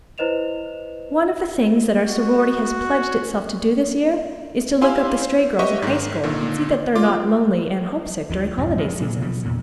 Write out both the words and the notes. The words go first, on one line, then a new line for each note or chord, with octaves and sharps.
One of the things that our sorority has pledged itself to do this year is to look up the stray girls in High School, and see that they are not lonely and homesick during holiday seasons.
E4 B4 C5 D#5 E7 F7
F#4
E4 G4 F5 G#5 C6 E6
C5
G4 B4 D#5 E5 C#6
G#2 D#3
A#2 D3 D#3
F4 D6
D2 F3
B1 F2 G#2
F2 G#3
A#2 F#3
B2 F3 F#3
E2 A#2 C#3